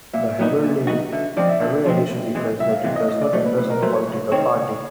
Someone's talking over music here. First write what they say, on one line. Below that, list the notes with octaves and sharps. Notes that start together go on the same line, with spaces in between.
The Herald in every edition declares that it does not endorse any political party.
A#2 E5
F#3 B3 D#4 F#4
A#2
F#3 B3 D#4 F#4
D3 E5
F3 G#3 C4 D5
E5
D3
F3 G#3 C4
C2
C3 E3 G#3
C2 E5
F5
C3 E3 G#3 E5
D#5
A2 D#5
D5
F#3 A3 C#5
B4
A2 B4
A#4
F#3 A3 C5
C#5
C#2 C#5
C3 D#3 G#3 C4 C#5
C#2